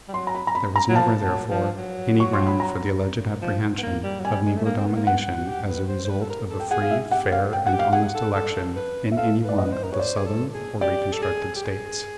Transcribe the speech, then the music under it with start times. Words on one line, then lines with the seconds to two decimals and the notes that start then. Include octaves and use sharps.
There was never, therefore, any ground for the alleged apprehension of negro domination as a result of a free, fair, and honest election in any one of the Southern or Reconstructed States.
0.08 G3
0.13 F#3 C6
0.27 A#5
0.35 B5
0.47 A#5
0.55 B5
0.76 A#5
0.89 F#3
0.96 F3 A5
1.23 F#3
1.51 F3
1.78 F#3
2.20 C#6
2.33 C6
2.47 B5
2.60 A#5
3.42 F3
3.78 B3
3.83 A#3
4.03 G3
4.20 F#3
4.24 G3 G#5
4.45 G#3
4.56 A3
4.65 A#3
4.77 C4
4.86 B3
4.96 A#3
5.06 B3 F#5
5.37 F#4
5.48 G4
5.68 B4
5.89 C5
6.05 C5
6.09 B4
6.22 A4
6.30 A#4
6.50 A4
6.60 G5
6.71 G#4 F#5
6.82 F5
6.91 E5
7.11 G4 F#5
7.32 F5
7.53 G5
7.66 F#4 F#5
7.74 G4
7.79 F5
7.93 G#4 F#5
8.14 A4
8.35 A4
8.76 B4
9.12 E5
9.17 A4 F5
9.44 B4 D5
9.58 D#5
9.65 B4
9.72 C5
9.83 A#4
9.91 B4 C#5
9.99 C5 D5
10.16 G#4
10.26 A4
10.54 G#4
10.81 G4 D5
11.13 A4
11.22 G#4
11.55 G4
11.64 G#4